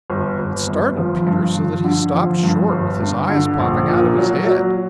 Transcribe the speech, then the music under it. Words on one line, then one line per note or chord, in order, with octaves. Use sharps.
It startled Peter so that he stopped short with his eyes popping out of his head.
G1
G1
G1
F3
G2
F3
D3
F3
G2
G1
G2
D3
A#1
A#2
F#3
F#3